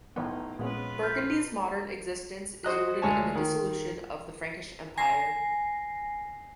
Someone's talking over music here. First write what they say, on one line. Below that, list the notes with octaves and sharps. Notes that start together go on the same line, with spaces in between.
Burgundy's modern existence is rooted in the dissolution of the Frankish Empire.
B1 A2 B3 D#4
A#1 G#3 B3 C#4 F4 B4
F6 G6 B6
F#4 C5 D#5 F#6
D2 G#3 C#5 G#5 A5
D#3
G#5 A#6 C7